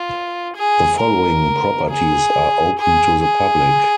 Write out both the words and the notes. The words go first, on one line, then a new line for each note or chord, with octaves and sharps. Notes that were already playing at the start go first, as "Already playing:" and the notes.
The following properties are open to the public.
Already playing: F4
G#4
A#4
G#4
G#4
G#4